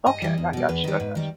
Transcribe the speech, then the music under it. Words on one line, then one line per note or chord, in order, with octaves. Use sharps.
Okay. I got you, I got you.
G2 D#5
E3 G3
E2
B2 G3
E2 B4
D#3 G3
G#2
D#3 G3